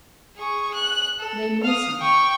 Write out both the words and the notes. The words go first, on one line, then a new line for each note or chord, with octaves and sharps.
They know something.
G#4 C#6
F#6
A4
F5 D#6
G5 C#6